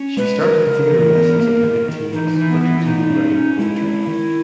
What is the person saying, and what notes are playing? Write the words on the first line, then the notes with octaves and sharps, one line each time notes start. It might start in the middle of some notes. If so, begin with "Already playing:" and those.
She started theatre lessons in her late teens, but continued writing poetry.
Already playing: C#4
G#3 B4
D#3 A#4
C#3
E3
B3
A#3
D#3
D#3
E3 D#4
E3
B3
E3
E4
B2 D#4
C#4
C#4
G#3 E4
D#3
D#3